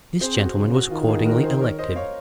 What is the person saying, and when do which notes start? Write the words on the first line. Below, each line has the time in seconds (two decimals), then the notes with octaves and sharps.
This gentleman was accordingly elected.
0.21 C4 G#4 C5
0.38 F#4
0.56 C#3
0.73 F#4
0.91 D#3 F4
1.08 F4 G#4
1.26 F#4 A#4
1.43 G#4 C5
1.61 A#4 C#5
1.78 C5 D#5
1.96 C#5 F5